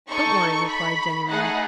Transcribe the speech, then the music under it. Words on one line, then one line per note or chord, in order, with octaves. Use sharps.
"Don't worry," replied Jenny Wren.
D#4 A4 C#6
B5
A3 D#4 G#4 F#5